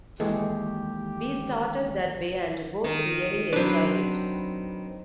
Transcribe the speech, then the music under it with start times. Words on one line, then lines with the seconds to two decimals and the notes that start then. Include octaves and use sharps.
We started that way and both really enjoy it.
0.20 D#2 E3 G#3 A3 G4
2.84 D#3
3.53 F#3 C4 D4 B4